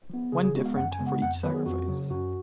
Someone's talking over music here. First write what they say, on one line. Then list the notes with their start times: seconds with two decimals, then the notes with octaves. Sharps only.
One different for each sacrifice.
0.10 F3 B3
0.32 C#3 G#4
0.43 G#4
0.55 G#3 B3 F#4
0.66 F5
0.76 F#2 F#5
0.92 G#5
0.99 C#3 G#3 B3
1.07 F#5
1.22 F2 F#5
1.43 D#3 F#3 B3 B4
1.54 G#4
1.66 F2 F#4
1.88 C#3 F#3
2.10 F#2 F#4